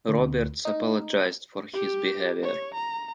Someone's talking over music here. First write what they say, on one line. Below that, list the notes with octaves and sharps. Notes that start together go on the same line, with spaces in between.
Roberts apologised for his behaviour.
D2
D#4
G4
C#5
A#5